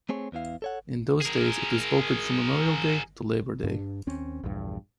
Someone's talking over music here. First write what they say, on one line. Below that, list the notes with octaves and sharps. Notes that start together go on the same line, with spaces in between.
In those days, it was open from Memorial Day to Labor Day.
A3 C4 G#4 C#5
E2 B3 E4 F5
A4 C#5 F#5
G#4 A#4
G2 C#4 D4
D#2 C4 C#4
A#1 E2 G2